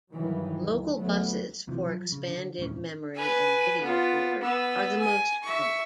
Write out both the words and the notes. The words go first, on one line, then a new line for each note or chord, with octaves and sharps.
Local buses for expanded memory and video boards are the most common.
G2 D#3 E3 F#3
D2
D2 F#3 G3 A3 B3
C2 C3 E3 F3
F3 F#3
C#3
D3
D#1 F2 G#2 C#4
B4 G#5
B3 F4
B3 E6
G#5
E5 C#6